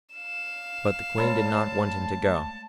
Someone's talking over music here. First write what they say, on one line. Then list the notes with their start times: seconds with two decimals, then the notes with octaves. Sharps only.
But the Queen did not want him to go.
0.15 F5 E7
1.18 G#3 A3 A5